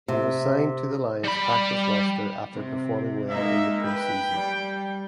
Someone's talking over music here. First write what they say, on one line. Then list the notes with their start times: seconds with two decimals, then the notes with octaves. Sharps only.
He was signed to the Lions practice roster after performing well in the preseason.
0.08 C3
1.24 G3 B5
2.57 C3
3.30 G#3 A#3 D#4 E5
3.84 B4 G5
4.30 G3